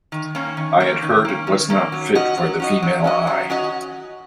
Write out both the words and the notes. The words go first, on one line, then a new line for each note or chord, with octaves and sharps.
I had heard it was not fit for the female eye.
D#3
A#3 C#4
D#3
A#3 C#4
D#3
A#3 C#4
D#3
A#3 C#4
F#3
C#4 F#4 D#5
F#3
C#4 F#4 D#5
F#3
C#4 F#4 D#5
F#3
C#4 F#4 D#5